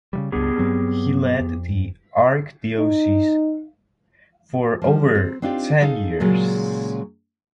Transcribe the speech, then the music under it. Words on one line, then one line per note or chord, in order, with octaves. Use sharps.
He led the Archdiocese for over ten years.
C#3 E3 G3
C#2 G2 B3 G4 G#4
G2 F#3 C4
F2
D#4
F3 G3
C4
C4 D4 D#4 F4 G4 D5
D#4 G#4 A4 F5
A#2 C#3 F#3 G#3 F4